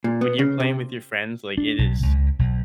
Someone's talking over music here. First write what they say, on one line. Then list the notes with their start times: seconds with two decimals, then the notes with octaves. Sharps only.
when you're playing with your friends, like, it is
0.04 A#2
0.21 B3
0.39 C#3
0.60 C3
1.58 D4
1.79 B1
2.03 C#2
2.39 B1